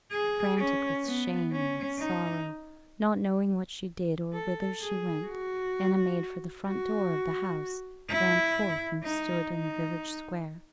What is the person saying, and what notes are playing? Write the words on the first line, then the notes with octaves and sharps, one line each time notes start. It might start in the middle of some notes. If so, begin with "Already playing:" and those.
Frantic with shame, with sorrow, not knowing what she did, or whither she went, Anna made for the front door of the house, ran forth and stood in the village square.
G#4
C#4
B3
C#4
D#4
A4
G#4
F#4
F#4
E4
D#4
D#4